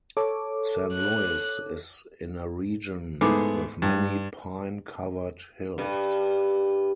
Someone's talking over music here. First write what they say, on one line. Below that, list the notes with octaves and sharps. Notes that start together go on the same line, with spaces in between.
San Luis is in a region with many pine-covered hills.
A4 C#5 D6
F#6
G#2 A3 B3 G#4 D6
G2
G2